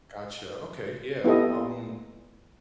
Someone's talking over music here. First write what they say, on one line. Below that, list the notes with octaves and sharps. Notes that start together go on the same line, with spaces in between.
Gotcha, okay, yeah, um,
B3 E4 G4 A4 D#5